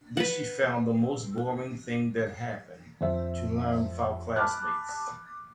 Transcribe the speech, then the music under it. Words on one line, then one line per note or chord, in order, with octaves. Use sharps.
This she found the most boring thing that happened, to learn without classmates.
B4 F#5
F2 C5 E5
G#5 A5 B5 D6 F6 F#6